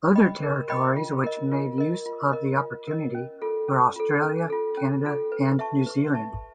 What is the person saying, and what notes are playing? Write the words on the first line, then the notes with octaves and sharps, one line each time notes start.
Other territories which made use of the opportunity were Australia, Canada and New Zealand.
D#5 G5 B5
A#4
D#5 G5 B5
F4
A#4 D#5
F4
A#4 D#5
F4
A#4 D#5
F4
A#4 D#5
C#4
F4 A4
C#4
F4 A4
C#4
F4 A4
C#4
F4 A4
B4
E5 A5 C#6
B4
E5 A5 C#6